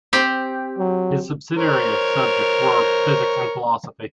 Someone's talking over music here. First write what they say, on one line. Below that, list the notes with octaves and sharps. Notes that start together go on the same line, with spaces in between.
His subsidiary subjects were physics and philosophy.
C4 G4
F#3
A#4 C5 C#5